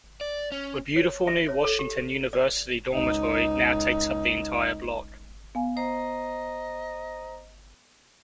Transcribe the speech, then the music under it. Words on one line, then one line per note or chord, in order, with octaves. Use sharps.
A beautiful new Washington University Dormitory now takes up the entire block.
D5
C#4
C#5
E5
C#5
A4
G4
D5
C#2 D#4
B3 F5 G#5
C5 D#5 A#5